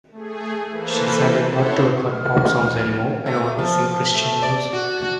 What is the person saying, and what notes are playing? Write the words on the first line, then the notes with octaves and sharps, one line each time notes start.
She decided not to record pop songs anymore and only sing Christian music.
A3 G#4
E3 A#3 A4 B4 C5
E4 A4 C5 C#5 E5 F#5
C3 F#3 A3 F6
D2 F3 A3
A3
F3
A3
D5
F#4
F#4